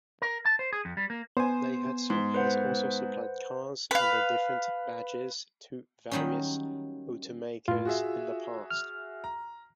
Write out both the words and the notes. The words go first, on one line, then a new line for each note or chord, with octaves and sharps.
Daihatsu has also supplied cars under different badges to various automakers in the past.
A#4
A5
C5
G#4
F2
G3
A#3
B3 C5 G#5
G#2 C6
B4 C5 F#5
B4 F5
D#3 F#3 G3 A#3 C#4
A2 F4
F#4 G#4 E5
F6
A#5